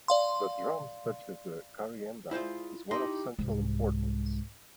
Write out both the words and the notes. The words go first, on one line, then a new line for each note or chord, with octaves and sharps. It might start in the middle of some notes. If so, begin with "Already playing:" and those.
The drum such as the "karyenda" is one of central importance.
D5 F5 C6
G#3 E4 F4 C5 F5
D#4 E4 G4 C6
C2 G#2